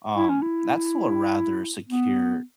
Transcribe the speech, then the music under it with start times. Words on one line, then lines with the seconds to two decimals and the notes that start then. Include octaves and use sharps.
um that's still a rather secure
0.16 E4
0.29 C#4
0.42 E4
1.89 B3